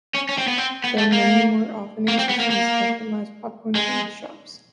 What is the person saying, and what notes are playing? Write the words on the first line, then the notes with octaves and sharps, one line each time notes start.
Though many more often exist in specialized popcorn candy shops.
C#4
C#4
C4
B3
C4
B3
A3
A#3
A#3
C4
B3
A#3
A#3
G#3